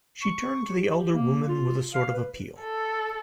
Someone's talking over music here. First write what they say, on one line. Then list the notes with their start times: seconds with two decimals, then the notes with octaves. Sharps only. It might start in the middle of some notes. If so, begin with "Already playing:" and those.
She turned to the elder woman with a sort of appeal.
0.22 C#6
0.71 G4
1.14 A#3
1.49 F4
1.94 F5
2.13 B4
2.60 A4